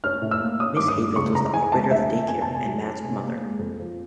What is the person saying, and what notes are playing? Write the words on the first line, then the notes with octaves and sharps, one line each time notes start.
Miss Havens was the operator of the day care and Matt's mother.
C#4 F6
A2
E6
A#3
C#4 D#6
G2 D6
D#6
A3
C#2 C#6
C#2 A#5
E3 G#5
G#3 A5
D2 E5
F3
B3 G#5
A5
C3
G#5
F#3
C#4
C3
A#3
G#3
F2
F3